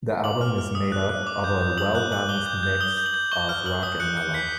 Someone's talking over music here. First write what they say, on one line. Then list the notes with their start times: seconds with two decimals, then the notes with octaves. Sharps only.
The album is made up of a well-balanced mix of rock and mellow.
0.24 D6 F#7
0.41 F6
0.58 F6
0.75 D#6
0.92 F#6
1.09 F#6
1.27 D6
1.44 G6
1.61 G6
1.78 D#6 F#7
1.95 F#6 F#7
2.12 F#6 F#7
2.29 D6 G7
2.46 G6
2.63 G6
2.81 D#6 G7
2.97 G6
3.06 F#7
3.14 G6
3.32 C#6 G7
3.49 F6 G7
3.66 F6 F#7
3.83 D#6 F#7
4.00 F#6 C#7
4.17 F#6 C#7
4.34 G6 B6